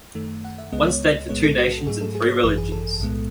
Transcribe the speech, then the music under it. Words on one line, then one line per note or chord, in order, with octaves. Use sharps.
One state for two nations and three religions.
F#2 D#3 A3
F#5
E5
C#2 C#3 G#3 B3 D#5
C#5
B1 A2 G#3 B3 C#5
A4
F#4
G#2 F#3 A3 G#4
A4
G#4
C#5
G#1 F#2 E3 B4
G#4
A4
B1 A2 G#3 B3